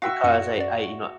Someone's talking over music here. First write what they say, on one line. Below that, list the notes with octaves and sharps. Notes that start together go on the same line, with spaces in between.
because I I you know,
F#4 E5 F5 G5 C#6
F#2 C#7
F#2 D5